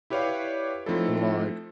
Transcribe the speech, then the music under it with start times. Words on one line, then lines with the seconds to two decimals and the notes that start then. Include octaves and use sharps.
And like,
0.10 E4 G4 B4 C#5 D5 F5
0.86 F3 A3 C4 D#4 E4 A4